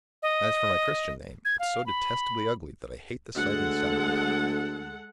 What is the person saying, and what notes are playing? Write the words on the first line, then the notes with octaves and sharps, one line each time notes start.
As for my Christian name, it's so detestably ugly that I hate the sight and sound of it.
D#5
G#6
F5
B5
D2 G#3 A4 F#5